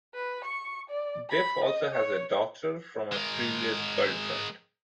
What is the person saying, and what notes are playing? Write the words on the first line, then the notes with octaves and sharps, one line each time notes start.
Dif also has a daughter from a previous girlfriend.
B4
C#6
D5
B5
D#5
C#5
G#3 A#4